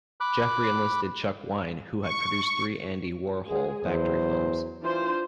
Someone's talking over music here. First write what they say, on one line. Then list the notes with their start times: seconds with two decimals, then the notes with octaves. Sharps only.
Jeffery enlisted Chuck Wein, who had produced three Andy Warhol Factory films.
0.20 B5 D6 F#6
2.02 C#6
3.46 G#3 G#4
3.84 E2 F#3 C5
4.82 E3 D4 F4 C5